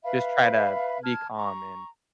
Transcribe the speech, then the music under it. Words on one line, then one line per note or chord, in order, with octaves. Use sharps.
Just try to be calm and
B4 E5 F5 B5
A5 F6 G#6
A#5 C#6